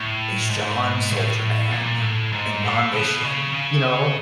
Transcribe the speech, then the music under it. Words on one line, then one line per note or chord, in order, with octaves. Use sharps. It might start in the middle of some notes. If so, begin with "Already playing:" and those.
is John Soldier Man and my mission" you know,
Already playing: A2
G#2
A2
A#2
A2
G#2
A2
B2
C#3
C#3